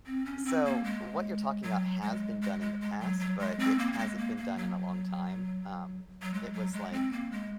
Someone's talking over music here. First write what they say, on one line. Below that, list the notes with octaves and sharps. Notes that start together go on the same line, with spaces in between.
So what you're talking about has been done in the past, but it hasn't been done in a long time, um, it was like,
C4
C#4
C4
A#3
G#3
F#3
G#3
G#3
G#3
G#3
F#3
F#3
G#3
C4
A#3
A#3
G#3
A#3
A#3
F#3
F#3
G#3
F#3
G#3
C4
A#3
G#3